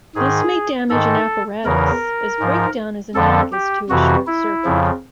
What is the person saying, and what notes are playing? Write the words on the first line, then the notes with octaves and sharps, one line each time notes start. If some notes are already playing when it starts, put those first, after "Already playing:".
This may damage an apparatus, as breakdown is analogous to a short circuit.
G#2 D#3 G#4
G#2 D#3 A4
E2 C#3 E3 A#4
G#2 F3
F2 D3 F3 A4
G4
F2 C3 E3 F#4
E4
F2 C#3 F3